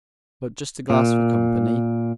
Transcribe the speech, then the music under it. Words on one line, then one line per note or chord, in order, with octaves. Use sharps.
"But just a glass for company."
A#2